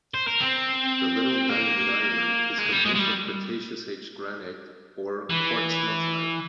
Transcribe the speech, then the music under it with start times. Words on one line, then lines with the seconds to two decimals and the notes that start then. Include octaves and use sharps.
The Little Diomede island is composed of Cretaceous age granite or quartz monzonite.
0.14 C5
0.28 A#4
0.41 C4
1.50 A#3
2.59 G#3
2.72 G3
2.86 G#3
2.96 G#3
2.99 G3
5.30 E3